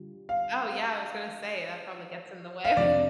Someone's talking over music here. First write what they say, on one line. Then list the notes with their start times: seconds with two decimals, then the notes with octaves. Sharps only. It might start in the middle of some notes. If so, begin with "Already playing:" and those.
Oh, yeah, I was gonna say that probably gets in the way of
Already playing: D3 G3 F4
0.29 F5
2.64 F5
2.77 F2 C3 F3 D4 F4 D5